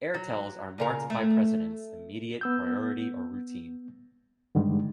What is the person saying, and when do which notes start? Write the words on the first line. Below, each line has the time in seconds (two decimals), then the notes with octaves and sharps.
Airtels are marked by precedence: immediate, priority, or routine.
0.14 F#3
0.78 A#2 C#3 A#4
1.10 A3
2.41 B3 E6 G6
4.55 G2 D3 D#3 G3 G#3